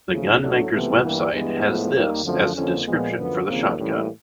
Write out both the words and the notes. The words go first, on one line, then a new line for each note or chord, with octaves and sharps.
The gun maker's website has this as the description for the shotgun.
D#2 C#3 F3 A3
A2 F#3 A3 D4
C#2 C3 E3 A3 B3
G2 E3 G3 A#3
G2 E3 G#3 B3
A2 F3 G#3
D#2 D#3 G3 A#3
F#2 D3 F3 A3 C4
F2 D3 F3 A#3 C#4
A#2 F3 G#3 B3
F#2 D3 F3 B3
D#2 C#3 F3 A#3 C4
A2 E3 G3 A#3 C#4